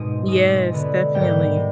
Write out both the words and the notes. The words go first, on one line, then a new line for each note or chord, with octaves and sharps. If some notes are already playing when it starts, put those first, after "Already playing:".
Yes, definitely.
Already playing: G#2 B2 G#3 C4 D#6
B2 G#3 C4 D#6
D3 G#3 B3
G#2 D#3 G3 B3 G5
C3